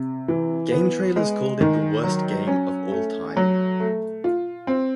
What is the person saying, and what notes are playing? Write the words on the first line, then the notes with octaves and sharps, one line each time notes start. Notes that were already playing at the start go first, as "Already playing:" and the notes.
GameTrailers called it the worst game of all time.
Already playing: C3
E3
B3
G#3
D#3
F#3
C#4
A3
F#3
A3
F4
C4